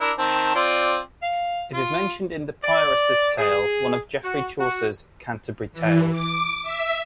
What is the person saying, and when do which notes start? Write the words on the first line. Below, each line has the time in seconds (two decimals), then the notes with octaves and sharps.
It is mentioned in "The Prioress's Tale", one of Geoffrey Chaucer's "Canterbury Tales".
0.01 D4 E4 A#4
0.18 D#3 C4 A5
0.55 C4 F4 D5
1.22 F5
1.74 F4
2.64 D5
3.38 G#4
4.24 F#4
4.59 F#4
5.73 E3
6.12 D6
6.63 E5